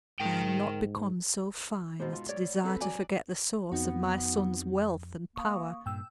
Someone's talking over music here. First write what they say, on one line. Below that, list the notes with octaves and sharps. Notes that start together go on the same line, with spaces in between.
I am not become so fine as to desire to forget the source of my son's wealth and power.
G#2 A#4 G5
G#2 B2 C5
F4
C#5 D5
C4 A4 B4
F#3 D5 G#5
F2 B3 C4 D#4 F#4
A#3 C#6 D#6
G2 A#2 G5 E6